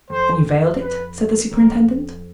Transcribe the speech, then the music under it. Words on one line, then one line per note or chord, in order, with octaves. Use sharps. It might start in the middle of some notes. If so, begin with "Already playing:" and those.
"And you veiled it?" said the superintendent.
F2 C5
B4
F2 A#4